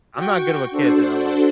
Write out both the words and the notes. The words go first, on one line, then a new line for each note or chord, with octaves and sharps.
I'm not good with kids," and I'm like
F#4 G5 C#6
D4 F#4 A4 C5